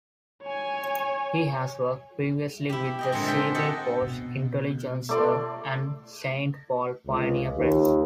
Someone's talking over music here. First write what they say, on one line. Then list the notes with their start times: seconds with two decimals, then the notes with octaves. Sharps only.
He has worked previously with the Seattle Post-Intelligencer and Saint Paul Pioneer Press.
0.43 C#5 G#5
2.70 E4 G4
2.99 G#4 D#5 G5
3.12 A#2 D3 G#3 C4
3.24 A4 C5 E5 G5
3.54 F#4 A4 C#5 D#5 G5
4.02 B2
5.09 A3 D5 C6
7.06 C#2
7.56 D#2